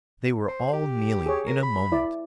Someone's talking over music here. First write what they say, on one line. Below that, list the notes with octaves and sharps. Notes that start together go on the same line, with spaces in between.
They were all kneeling, in a moment.
C5
G4
G#4 C#5
A#4
B5
E4 D5